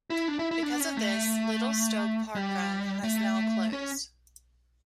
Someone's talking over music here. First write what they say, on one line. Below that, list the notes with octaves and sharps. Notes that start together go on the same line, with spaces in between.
Because of this, Little Stoke Parkrun has now closed.
E4
D4
E4
E4
D4
C#4
A3
G3
A3
C#4